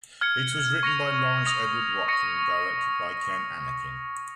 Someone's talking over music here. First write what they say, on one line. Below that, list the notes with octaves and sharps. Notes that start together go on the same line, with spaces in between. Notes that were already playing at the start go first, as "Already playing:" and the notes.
It was written by Lawrence Edward Watkin and directed by Ken Annakin.
F6 G#6 C#7
C#6 A#6 C#7 F7
D#6 A#6 F7
C#6 A#6 C#7